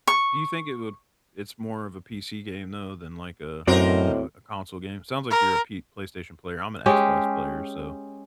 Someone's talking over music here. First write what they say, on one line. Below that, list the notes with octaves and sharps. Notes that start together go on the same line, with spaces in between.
Do you think it would it's more of a PC game, though, than, like, a, you know, a console game? Sounds like you're a P PlayStation player. I'm an Xbox player, so
C#6
F#2 A2 C4 D#4 F#4 A#4 C5 D5
A#4
G#3 C#4 G4